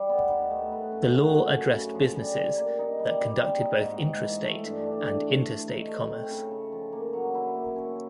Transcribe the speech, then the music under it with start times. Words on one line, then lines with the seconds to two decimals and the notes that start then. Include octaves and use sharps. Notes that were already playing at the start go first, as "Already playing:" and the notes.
The law addressed businesses that conducted both intrastate and interstate commerce.
Already playing: G3
0.09 B3
0.30 D#4
0.50 A3
0.72 B4
0.92 C#4
1.13 F#4
1.33 F#2
1.54 A3
1.74 C#3
1.95 F3
2.16 G3
2.37 G3
2.57 A#3
2.79 D#4
2.99 G3
3.20 G3
3.41 C4
3.61 D#4
3.82 G#2
4.03 G#2
4.23 E3
4.45 A3
4.65 G2
4.86 D4
5.06 E3
5.27 A3
5.47 F3
5.68 D#4
5.88 A3
6.10 C4
6.31 C#3
6.51 C#3
6.72 F3
6.92 A#3
7.13 F#3
7.34 E4
7.55 A#3
7.76 C#4